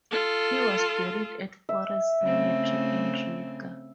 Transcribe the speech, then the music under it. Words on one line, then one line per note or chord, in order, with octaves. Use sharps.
He was buried at Forest Cemetery in Riga.
F4 A4
E5
C#3 A3 C4